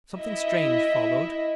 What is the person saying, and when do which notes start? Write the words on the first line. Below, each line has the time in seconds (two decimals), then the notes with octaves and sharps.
Something strange followed.
0.15 E4 D#5 E5